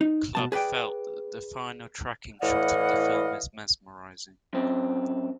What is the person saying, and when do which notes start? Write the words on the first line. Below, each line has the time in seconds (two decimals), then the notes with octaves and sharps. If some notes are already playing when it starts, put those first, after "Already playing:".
Club felt that the final tracking shot of the film is mesmerizing.
0.01 D#4
0.35 B2 G#3 A5
0.52 G#4 B4 D5 G5
2.42 A2 E3 D5 D#5 F5 F#5
4.53 F#2 C4